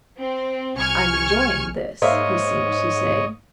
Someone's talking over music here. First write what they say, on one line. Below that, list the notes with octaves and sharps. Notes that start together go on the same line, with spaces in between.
"I'm enjoying this," he seemed to say.
C4
C2 G#5 C#6 F6 G#6
G#2 A#3 C5 C#5 D#5 E5